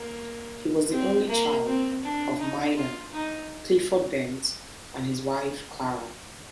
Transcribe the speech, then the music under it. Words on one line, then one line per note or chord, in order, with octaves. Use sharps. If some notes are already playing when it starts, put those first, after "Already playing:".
He was the only child of miner Clifford Bent and his wife Clara.
Already playing: A#3
C4
A#3
C4
D4
D#4
F4
D#4